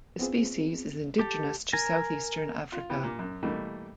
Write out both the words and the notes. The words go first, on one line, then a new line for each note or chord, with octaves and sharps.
The species is indigenous to southeastern Africa.
B3 C4 F4 G#4 C5
G4 A4
A#4 G#5 A#5
F4
B3 E4 G4
A#2
F#2
B2 E3 G3 A3 A#3